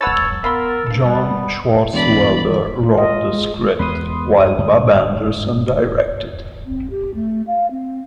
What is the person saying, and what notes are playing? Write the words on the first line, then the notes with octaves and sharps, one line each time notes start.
John Swartzwelder wrote the script, while Bob Anderson directed.
G#3 A4 B4 C#5 F#5 E6 A6
F#3
B3 A#4 F5 B5 C6
G2 A4 F5
G3 B3 C#4
E1 E3 D5 B5
F4
D#5
G#3
E2 G#3 B3 B4 C6 D#6
G2 D#6
G#2 D3
C4
G4
A3
F5
C4